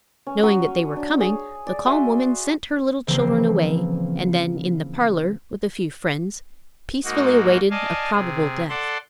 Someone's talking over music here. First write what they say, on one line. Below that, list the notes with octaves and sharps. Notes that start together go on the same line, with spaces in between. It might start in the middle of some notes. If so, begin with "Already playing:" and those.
Knowing that they were coming, the calm woman sent her little children away, and then in the parlor, with a few friends, peacefully awaited a probable death.
C#4
F#3 D#6
D4
G#4 C#5
D5
F#4 E5 G#5 C6
C#3 E3 F3 A#3 C4 C5
G#2 A#3 D#4 F#4
D5 D#5 F5 G#5 A5
C3 G#4
A4 D5 F#5 A5 C6